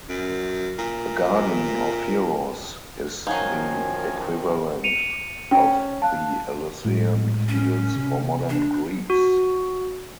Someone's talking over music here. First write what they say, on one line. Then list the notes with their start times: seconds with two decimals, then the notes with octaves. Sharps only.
The Garden of Heroes is the equivalent of the Elysian Fields for modern Greece.
0.09 F#2
0.78 A#2
3.27 F#2 D#3 F3 F#3 D#4 F5 G#5
4.84 C#7 D#7 F7
5.51 C#4 G5
6.02 F5 A5 F#6
6.85 A2 G#3
7.48 C#4
7.96 C3
8.49 D4
9.10 F#4